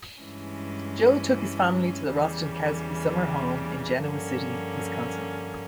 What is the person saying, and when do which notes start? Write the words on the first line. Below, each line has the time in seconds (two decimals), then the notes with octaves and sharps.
Joe took his family to the Rostenkowski summer home in Genoa City, Wisconsin.
0.20 G2 E3 G#3 C#4
2.10 E2 C#3 E3 G3
4.00 G2 D3 F3 A#3 C#4